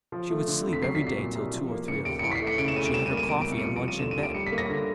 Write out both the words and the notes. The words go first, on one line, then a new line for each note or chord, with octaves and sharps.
She would sleep every day till two or three o'clock; she had her coffee and lunch in bed.
F3
A3
D3
F2
B6
F#3 C7
B6
C2
C7
A#2
C2
F3
A#3
C#3 C#7
D#2 D7
C#7
E3 D7
B6
C7
A3
C#7
C#3 D7
E7
D2 D#7
D7
G3 E7
D#7
A#3
D#7
B2 D7
D7
C2
C#7
D7
F3 C#7
D7
D#2
D#7
D3 E7
D#7
D#2
D7
G3 C#7
B6
A#3
A#6
D3